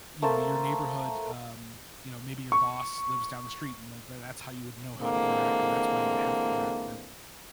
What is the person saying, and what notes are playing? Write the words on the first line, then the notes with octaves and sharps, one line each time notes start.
you know, your neighborhood, um, you know, maybe your boss lives down the street and, like, that that's how you would know how to interact or that's why you would have to interact with them
A3 A#3 C5 A5
C#6
D3 E3 G#3 A#3 C4